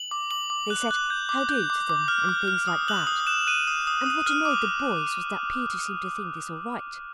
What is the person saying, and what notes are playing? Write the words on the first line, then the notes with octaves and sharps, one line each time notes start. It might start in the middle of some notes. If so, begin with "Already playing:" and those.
They said 'How-do?' to them, and things like that; and what annoyed the boys was that Peter seemed to think this all right.
Already playing: F#7
D6
D6 F#7
D6
F#6
F#6
G6
D6
G6
D6
D6
F6
D6
F6
D#6
F#6 F#7
D#6
F#6 E7
F#6 D#7
D#6
D#6
D#6
F6
D6